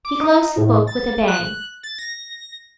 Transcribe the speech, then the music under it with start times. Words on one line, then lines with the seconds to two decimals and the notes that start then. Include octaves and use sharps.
He closed the book with a bang.
0.05 D6
0.21 D#4
0.57 A2
0.87 A6
1.28 F#6
1.83 A6
1.98 A#6